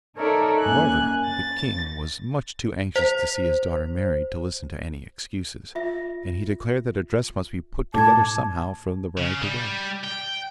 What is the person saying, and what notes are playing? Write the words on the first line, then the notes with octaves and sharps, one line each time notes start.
However, the king was much too anxious to see his daughter married to listen to any excuses, and he declared that a dress must be put together somehow for the bride to wear.
D#4 A4 A#4 C#5 D5 E5
F#2 A#3 G#5 F#6
A6
C5
F4 E5 A#6
A2 A5 D6 G#6
C#3
G3
G5